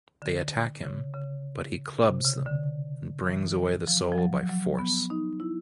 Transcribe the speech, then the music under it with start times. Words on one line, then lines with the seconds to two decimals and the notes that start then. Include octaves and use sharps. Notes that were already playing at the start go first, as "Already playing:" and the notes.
They attack him, but he clubs them and brings away the soul by force.
0.22 D3
0.83 C#3
1.14 C#3
2.05 C3
2.25 C#3
2.46 D3
3.27 E3
3.87 F3
4.12 F3
4.18 F#3
4.49 F#3
4.79 B3
5.10 D#4
5.40 E4